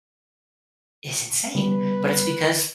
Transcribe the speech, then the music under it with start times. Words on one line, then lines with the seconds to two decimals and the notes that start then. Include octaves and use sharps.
is insane, but it's because
1.55 C#3 G3 B3 B4